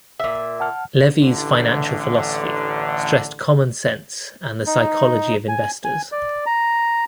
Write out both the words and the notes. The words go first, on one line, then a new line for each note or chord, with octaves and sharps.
Levy's financial philosophy stressed common sense and the psychology of investors.
A#2 E5
F#5 A5 F6
A1 D3
D#4
G#5
G#5
D5
A#5